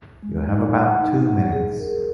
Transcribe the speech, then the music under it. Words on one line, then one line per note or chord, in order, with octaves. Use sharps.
You have about two minutes.
G#3
D#4
F#5
D#4
F#5
G#4
A#4